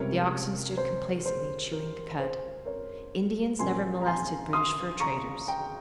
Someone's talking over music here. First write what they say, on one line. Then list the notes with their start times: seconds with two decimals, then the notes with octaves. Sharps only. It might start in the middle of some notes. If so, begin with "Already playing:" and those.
The oxen stood complacently chewing the cud. Indians never molested British fur-traders.
Already playing: C#2 C3 G3 C#4 A#4 C#5
0.77 C5
1.26 C5
1.72 A#4
2.19 C5
2.65 A#4 C#5
3.59 A#2 F3 A#3 C#4 G#5 C6
4.02 A#5
4.06 G#5 C6
4.53 C6 D#6
5.00 A#5 C#6
5.48 G5 A#5